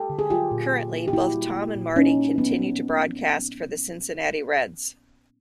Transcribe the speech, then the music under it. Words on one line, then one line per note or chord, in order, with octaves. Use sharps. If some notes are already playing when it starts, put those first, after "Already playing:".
Currently, both Thom and Marty continue to broadcast for the Cincinnati Reds.
Already playing: G4 A4
D3
G#4
F#3 F4 G4
A#2
A#3
A#3
G4
A#3 E4 F#4
G3
A#3
A#2
A#3 C#4 D#4
A#3
F#3 B3